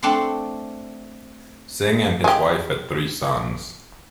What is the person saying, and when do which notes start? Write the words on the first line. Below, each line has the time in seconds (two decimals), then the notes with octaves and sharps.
Singh and his wife had three sons.
0.03 A3 C4 D4 F#5 C6
2.24 G#3 G4